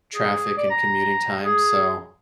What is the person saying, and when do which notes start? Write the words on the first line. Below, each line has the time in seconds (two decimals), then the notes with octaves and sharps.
traffic and commuting time, so
0.15 G#4
0.57 D5
0.70 A#5
1.44 G#4